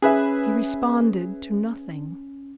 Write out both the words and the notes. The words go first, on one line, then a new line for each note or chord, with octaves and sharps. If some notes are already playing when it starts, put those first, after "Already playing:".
He responded to nothing.
C#4 G#4 B4 E5